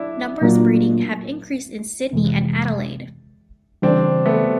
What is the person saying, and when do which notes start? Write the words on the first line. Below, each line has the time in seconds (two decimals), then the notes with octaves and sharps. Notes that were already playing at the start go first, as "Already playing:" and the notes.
Numbers breeding have increased in Sydney and Adelaide.
Already playing: D4 E4
0.41 A#2 F#3 A#3 D4 F4
2.13 F2 C3 E3 G#3
3.83 C#3 E3 G3 C4 D4
4.26 A3 B3